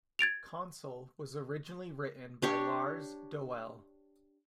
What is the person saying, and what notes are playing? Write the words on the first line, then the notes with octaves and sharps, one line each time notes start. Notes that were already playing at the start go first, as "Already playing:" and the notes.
Konsole was originally written by Lars Doelle.
G#6 A6 D7 F7
D4 G4 C#5